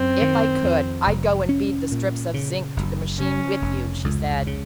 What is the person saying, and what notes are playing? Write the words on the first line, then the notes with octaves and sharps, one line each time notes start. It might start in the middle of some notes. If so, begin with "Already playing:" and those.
"If I could, I'd go and feed the strips of zinc to the machine with you," she said.
Already playing: F#2 C4
D#3
F2
F1
C#4
A#2
C#3
F#1
C#3 C#4
F1
C#2
C#3